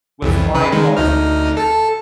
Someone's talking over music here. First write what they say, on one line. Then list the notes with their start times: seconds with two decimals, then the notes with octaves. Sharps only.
with flying cars and everything.
0.22 C2 F2 E3
0.55 C#3 B4
0.72 D#3 G#3
0.97 D2 D#4 F6
1.57 A4 A5